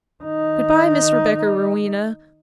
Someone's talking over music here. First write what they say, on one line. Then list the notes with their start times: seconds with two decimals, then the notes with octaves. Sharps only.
Good-by Miss Rebecca Rowena!
0.24 D#3 D#4